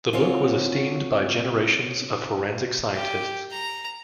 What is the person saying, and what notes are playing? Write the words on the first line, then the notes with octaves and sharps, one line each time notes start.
The book was esteemed by generations of forensic scientists.
C#3 C4 F4 F#4 C5 C#5
G4
A#5